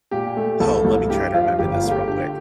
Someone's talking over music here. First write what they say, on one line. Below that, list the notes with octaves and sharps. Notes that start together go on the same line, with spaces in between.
oh, let me try to remember this real quick.
A#2 G4
A3
C2 A4
C2
G2 G4
F3 F4
G1 G4
F4
A3
G4
D3 G4